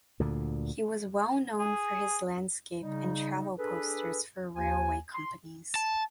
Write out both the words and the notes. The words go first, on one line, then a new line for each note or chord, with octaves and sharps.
He was well known for his landscape and travel posters for railway companies.
D2 A#2 D3
G#4
C#3 G3 D#4
D4 G#4 A4 B4
D#2 G#5
C6
A5